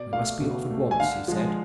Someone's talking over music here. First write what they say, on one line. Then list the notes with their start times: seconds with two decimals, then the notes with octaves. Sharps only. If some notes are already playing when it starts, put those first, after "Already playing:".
"We must be off at once," he said.
Already playing: B2 D5
0.13 A3 F5
0.41 B2
0.71 A3
0.91 G#5
1.00 D3 F5
1.28 F3 G#3